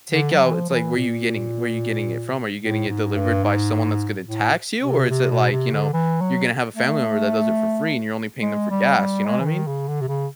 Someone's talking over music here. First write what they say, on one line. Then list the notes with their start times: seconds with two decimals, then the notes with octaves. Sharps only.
takeout it's like, where you getting where you getting it from? Are you getting it delivered by someone that's gonna tax you, or is it like you know, you're gonna have a family member that does it for free, and you're only paying them for gas, you know what I mean.
0.12 D3
0.33 F#3
0.44 E3
0.53 F3
0.70 F3
0.75 E3
0.95 A#2
2.61 A2
2.89 G#2
3.16 G2
3.44 G#2
4.27 A2
4.82 C3
5.10 C3
5.31 B2
5.52 C3
5.73 D3
5.94 E3
6.21 F#3
6.76 A3
8.42 G#3
8.70 G3
8.98 G3
9.26 G#3
9.40 E3
9.46 D#3
9.67 C#3
9.88 D3
10.01 C3
10.08 C#3